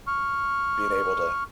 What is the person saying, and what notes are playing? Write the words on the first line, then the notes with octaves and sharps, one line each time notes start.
being able to
C#6 F6